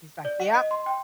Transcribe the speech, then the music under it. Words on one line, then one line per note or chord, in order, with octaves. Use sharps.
he's like, "Yep.
D5
F#5
D#5
C6
G5